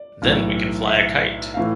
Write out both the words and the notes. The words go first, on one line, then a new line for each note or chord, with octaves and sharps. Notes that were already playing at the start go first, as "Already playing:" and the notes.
Then we can fly a kite.
Already playing: D5
B1 A2 E3
E5
A2 E3 F5